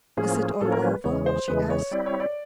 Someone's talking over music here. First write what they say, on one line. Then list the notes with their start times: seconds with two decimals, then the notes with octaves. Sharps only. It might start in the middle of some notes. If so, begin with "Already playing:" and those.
"Is it all over?" she asked.
0.17 A2 F3 A#3 C#4 G#4
0.61 A2 F3 A#3 C#4 A4
0.72 A#4
0.82 B4
1.04 E2 C#3 E3 G#3 C#5
1.26 C5
1.48 E2 C#3 E3 G#3 B4
1.70 C#5
1.91 G3 C4 E4 D5
2.06 C#5
2.20 D5